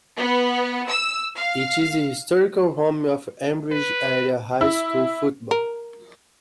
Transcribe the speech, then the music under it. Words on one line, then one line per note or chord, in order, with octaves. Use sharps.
It is the historical home of Ambridge Area High School football.
B3
E6
F5
B4
E4
A#4